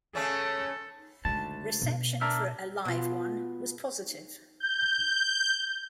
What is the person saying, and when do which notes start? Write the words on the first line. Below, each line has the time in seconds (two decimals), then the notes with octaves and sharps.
Reception for "A Live One" was positive.
0.15 C#3 A3 C#4 A4
1.25 D2 C#3 G#3 A5
1.82 B2
2.21 D4 A#4 E5
2.85 B2 F4
4.60 G6